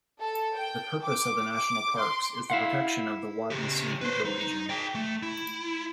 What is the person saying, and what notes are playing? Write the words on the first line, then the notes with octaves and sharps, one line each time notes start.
The purpose of the national parks is the protection of the Wadden Sea ecoregion.
A4
G5
D6
D6
C6
E4 F5 F#5
C#3 G4
B4 C5
D#4
G#4 G5
A3
E4